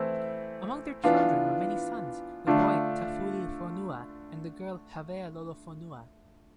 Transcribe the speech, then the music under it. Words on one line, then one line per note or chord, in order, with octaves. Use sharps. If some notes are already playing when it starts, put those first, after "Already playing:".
Among their children were many sons', the boy Taufulifonua and the girl Havea Lolofonua.
Already playing: E3 A3 C4 E4
E3 B3 D4 F4
D3 A3 D4 F4